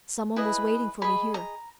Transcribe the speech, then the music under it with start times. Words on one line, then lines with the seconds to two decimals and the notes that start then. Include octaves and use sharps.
"Some one was waiting for me here."
0.36 E4 G#4 B4 D#5
1.02 G#4 D#5 B5
1.34 A#5